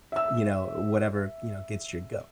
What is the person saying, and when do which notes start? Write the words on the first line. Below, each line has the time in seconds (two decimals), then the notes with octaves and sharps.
you know, whatever, you know, gets your goat.
0.12 E5 E6